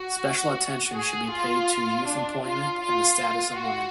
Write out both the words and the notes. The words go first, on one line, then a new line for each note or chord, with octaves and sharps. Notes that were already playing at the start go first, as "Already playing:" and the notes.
Special attention should be paid to youth employment and the status of women.
Already playing: F#4
G#4
F4
D4
F4
F4
F#4